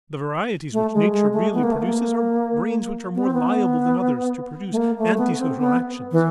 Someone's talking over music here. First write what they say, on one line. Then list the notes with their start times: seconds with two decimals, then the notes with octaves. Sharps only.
The varieties which nature really produces are brains which are more liable than others to produce antisocial actions.
0.73 A3
0.94 G#3
1.13 G#3
1.33 A3
1.54 B3
1.64 A#3
1.72 A3
1.81 A#3
3.15 B3
3.25 C4
3.34 B3
4.72 A3
4.77 A#3
4.98 A3
5.18 B3
5.39 C4
5.59 B3
6.12 E3